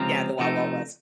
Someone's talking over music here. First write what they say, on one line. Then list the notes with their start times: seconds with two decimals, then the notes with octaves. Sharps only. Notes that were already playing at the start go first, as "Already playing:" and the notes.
Yeah, the Wild Wild West.
Already playing: C#2 C3 F3 C4 A#5
0.39 C3 F3 A3 D#4